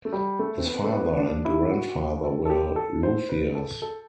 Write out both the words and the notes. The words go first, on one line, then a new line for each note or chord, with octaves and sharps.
His father and grandfather were luthiers.
A3
G3
A3
C4
B3
A3
B3
D4
E4
F#4
A4
A4
G4
A4
C5
B4
A4
A4